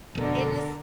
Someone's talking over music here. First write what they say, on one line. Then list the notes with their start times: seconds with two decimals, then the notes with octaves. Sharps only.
It is
0.15 F1 B2 D3 A4 A#4